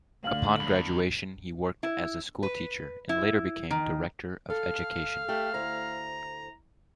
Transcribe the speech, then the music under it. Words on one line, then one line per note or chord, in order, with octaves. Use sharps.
Upon graduation, he worked as a school teacher and later became Director of Education.
D2 D3 F5 F6 F#7
E2
E4
B4
E4
D#3
A4 F5
A3 G4
D2 E4 C5 A#5